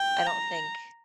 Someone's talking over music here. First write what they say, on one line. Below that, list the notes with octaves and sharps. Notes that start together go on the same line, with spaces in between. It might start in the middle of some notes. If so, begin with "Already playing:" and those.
I don't think
Already playing: G5
A#5